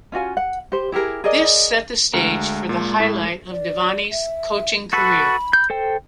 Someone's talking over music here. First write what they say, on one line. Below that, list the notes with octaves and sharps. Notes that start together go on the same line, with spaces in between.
This set the stage for the highlight of Devaney's coaching career.
C#4 F4 F#4 G#5
F#5
G4 C5
E4 G4 G#4 A#4
G#4 A#4 D5 D#5
D2 G#3 A#4
A#2
A2
D5
E5
F#4 A4 B4 B5
G6
A4 C5 G5